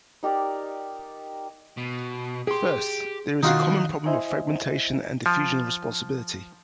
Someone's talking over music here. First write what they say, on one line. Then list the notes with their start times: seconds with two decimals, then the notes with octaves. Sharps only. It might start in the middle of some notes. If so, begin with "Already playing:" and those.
First, there is the common problem of fragmentation and diffusion of responsibility.
0.23 D#4 G4 A#4 D5
1.77 B2
2.47 G4 G#4 C6
3.43 D#2 D#3 D#4 F4 F#4
4.06 E4 C5 D#5 E5 G#5
5.26 F3